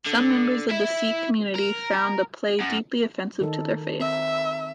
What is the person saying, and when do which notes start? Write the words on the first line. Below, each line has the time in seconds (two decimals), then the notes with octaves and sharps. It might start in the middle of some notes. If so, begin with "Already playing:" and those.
Some members of the Sikh community found the play deeply offensive to their faith.
0.07 D3
0.70 E4 E5
1.56 A#4
2.61 F#2
3.41 D#3 D#4 A4
4.00 C4 E5